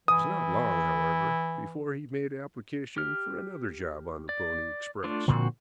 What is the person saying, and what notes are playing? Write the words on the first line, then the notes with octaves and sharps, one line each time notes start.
It was not long, however, before he made application for another job on the Pony Express.
E3 D#6
G4 F6
D5
A3 D4 F4
A#2 D3 F3 C4 F#4